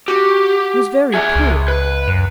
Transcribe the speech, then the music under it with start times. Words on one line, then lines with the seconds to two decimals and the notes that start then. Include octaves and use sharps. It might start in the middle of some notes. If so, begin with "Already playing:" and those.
He was very poor.
0.08 F#4 G4
1.14 G#4 E5
1.36 C#2
1.68 B4
2.08 F#2